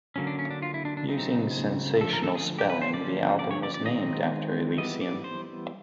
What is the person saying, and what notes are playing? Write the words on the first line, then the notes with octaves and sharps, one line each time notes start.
Using sensational spelling, the album was named after Elysium.
D3 F#3 A#3 C#4
D4
C#4
D4
F4
E4
D4
D4
C#3 F#3 A3 C4 D#4
D3 F3 A3 A4
A#4
A4
G#4
G4
B4
C5
D3 F3 A#3 C#4 D5
D5
C#5
D5
D5
D#3 G#3 C4 D#5
E3 G3 B3 D#5
D5
C5